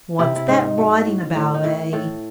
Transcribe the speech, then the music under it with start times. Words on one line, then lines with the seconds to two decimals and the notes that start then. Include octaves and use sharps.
'What's that writing about, eh?'
0.19 C3 E4
0.36 E4
0.48 G#2 D#4
0.78 F#3
1.06 A2
1.35 A2
1.54 D#4
1.64 A2 E4
1.93 A2 A4